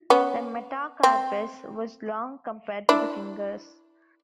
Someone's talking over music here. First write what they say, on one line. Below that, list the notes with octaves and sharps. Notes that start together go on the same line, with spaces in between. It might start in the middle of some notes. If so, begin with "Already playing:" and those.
The metacarpus was long compared to the fingers.
B3 C#4
C4
D4 E4